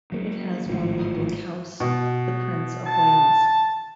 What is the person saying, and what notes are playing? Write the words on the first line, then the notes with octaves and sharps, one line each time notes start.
It has one public house, the Prince of Wales.
F#3 A#3
G#1 A2 D#3 F3
B2
A5